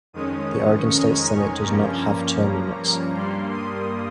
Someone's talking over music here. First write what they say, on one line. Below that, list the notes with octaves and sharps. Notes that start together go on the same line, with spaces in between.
The Oregon State Senate does not have term limits.
F2 D#3 G#3 C#4 D#6
C#6
A#5
G#5
G2 F3 A#3 C#4 A#5
A#5
G2 G3 A#3 C6
D#6